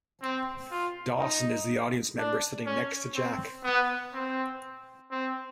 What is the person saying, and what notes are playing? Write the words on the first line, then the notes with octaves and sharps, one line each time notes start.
Dawson is the audience member sitting next to Jack.
C4
F4
D#4
D4
C#4
C4
B3
C4
C4